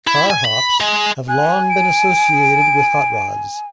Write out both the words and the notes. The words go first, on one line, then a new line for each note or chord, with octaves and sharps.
Carhops have long been associated with hot rods.
E4
G#5
B5
G#3
G#5 F#6
D7